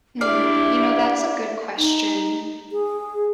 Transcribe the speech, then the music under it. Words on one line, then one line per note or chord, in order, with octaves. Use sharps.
Hmm, you know, that's a good question.
D4 E4 G4 D5 E5 F5
D#4
G#4